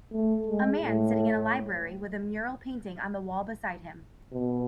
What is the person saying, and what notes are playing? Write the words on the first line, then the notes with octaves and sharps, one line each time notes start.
A man sitting in a library with a mural painting on the wall beside him.
A3
G#3
A2
B2